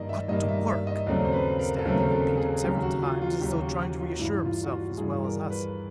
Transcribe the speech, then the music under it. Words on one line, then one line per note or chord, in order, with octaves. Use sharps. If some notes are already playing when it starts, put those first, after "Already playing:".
"It ought to work," Stanley, repeated several times as though trying to reassure himself as well as us.
Already playing: G2 D#3 G3 A#3 D5 D#5
E5
G2 D#3 G3 A#3 D#5
E5
E5
D#5
D#2 C#3 F#3 A3 C4 D5
C5
B4
A#4
A4
D#2 C#3 F#3 A3 C4 A#4
A4
G#4
D#2 C#3 F#3 G4
F#4
F4
F4
D#2 C#3 F#3 G4
F#4
F#4
F4
G2 E3 G3 E4
F4
F#4
F4
G2 E3 G3 G#4
A#4
B4